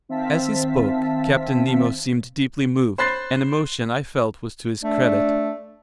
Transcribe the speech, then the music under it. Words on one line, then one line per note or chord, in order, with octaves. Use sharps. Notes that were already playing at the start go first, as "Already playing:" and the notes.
As he spoke, Captain Nemo seemed deeply moved, an emotion I felt was to his credit.
D#3 C4 E5 F5 A5 B6
C5 B5 C6 F#6 A6 C7
A3 D4